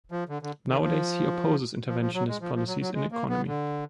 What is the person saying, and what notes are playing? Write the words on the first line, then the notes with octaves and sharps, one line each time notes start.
Nowadays, he opposes interventionist policies in economy.
F3
D3
D3
D#3
F3
F3
F3
F#3
G#3
F3
F3
F#3
F#3
G#3
A#3
B3
D3